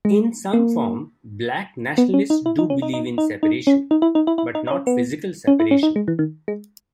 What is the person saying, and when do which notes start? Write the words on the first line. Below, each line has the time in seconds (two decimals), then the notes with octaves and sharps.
In some form, black nationalists do believe in separation, but not physical separation.
0.05 G#3
0.53 A#3
1.98 B3
2.14 C#4
2.30 D#4
2.46 E4
2.59 D#4
2.70 C#4
2.82 D#4
2.94 D#4
3.18 D#4
3.43 D#4
3.67 C#4
3.91 D#4
4.02 E4
4.15 D#4
4.27 E4
4.38 E4
4.55 D#4
4.67 D#4
4.71 C#4
4.87 B3
5.47 C#4
5.60 E4
5.71 C#4
5.83 D#4
5.96 G#3
6.08 E3
6.19 D#3
6.48 G#3